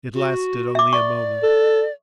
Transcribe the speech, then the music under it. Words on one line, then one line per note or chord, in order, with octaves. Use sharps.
It lasted only a moment.
F#4
E5 D6
D5 C#6
A4